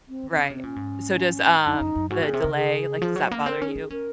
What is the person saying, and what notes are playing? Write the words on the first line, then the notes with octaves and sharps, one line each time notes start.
Right, so does, um, the delay, like, does that bother you?
C4
D#3
C4
C#3
C3 C4
A#2 C#4
G#2
F#2 D#4
F#2
F#2
G#2 F#4
A#2 G#4
C3
C#3 A#4
G#4
F3
F#3
A#3
C4 A#4
C#4
G#4
D#4
C#4 A#4